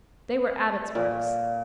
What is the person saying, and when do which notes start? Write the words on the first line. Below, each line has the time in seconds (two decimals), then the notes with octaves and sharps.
They were Abbot's works.
0.95 A#2